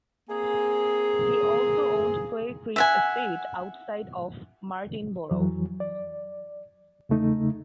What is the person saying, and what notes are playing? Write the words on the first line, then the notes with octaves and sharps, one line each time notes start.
He also owned Clay Creek Estate outside of Martinborough.
A#3 C4 G#4
E5 F#5 G#5
F2 E3 F#3
D5
E2 C#3 A3 D#4